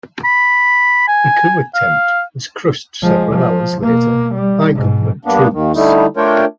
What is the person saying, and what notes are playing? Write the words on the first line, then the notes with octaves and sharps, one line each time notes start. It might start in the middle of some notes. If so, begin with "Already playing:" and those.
The coup attempt was crushed several hours later by government troops.
B5
G#5
F5
F3 G#3
F3
B2 A#3
G3
G#2 B2
G2 A#3 B3 D4
D#2 D#3
D3 G3 A3 D#4 E4
A3 D4 F4 A#4 C#5 G5